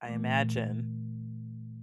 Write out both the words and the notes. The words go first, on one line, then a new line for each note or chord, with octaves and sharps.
I imagine
A#2 E3 A3